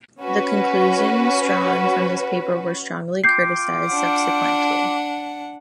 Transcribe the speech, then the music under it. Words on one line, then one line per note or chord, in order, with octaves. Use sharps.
The conclusions drawn from this paper were strongly criticized subsequently.
C#4 F#4 B4
F4 G5 D6 G6 C7
D4 F#5